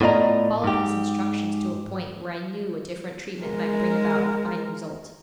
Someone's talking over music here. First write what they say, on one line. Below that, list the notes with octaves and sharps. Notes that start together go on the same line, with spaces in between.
I followed his instructions to a point where I knew a different treatment might bring about a fine result.
A2 B3 F4 D5 D#5 A#5
G#2 G4
G#3 A#4